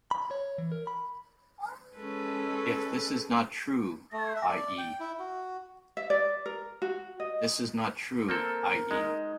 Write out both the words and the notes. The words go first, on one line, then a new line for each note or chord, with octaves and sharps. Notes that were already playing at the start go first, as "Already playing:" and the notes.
If this is not true, i.e.
B5
C#5
E3
A#4
B5
G#3 C#4 A4 B4
A3
E5
D5
G5
E4
F#4
E5
D5
A#4
F#4
D#5
A#3 C4 A4 A#4
G#3 D#4